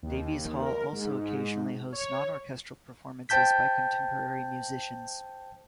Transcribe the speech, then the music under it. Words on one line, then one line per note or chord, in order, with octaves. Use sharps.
Davies Hall also occasionally hosts non-orchestral performances by contemporary musicians.
D#2
D#2
A#4
G#2
G#2
C#5
C5 G5 A5 G6 B6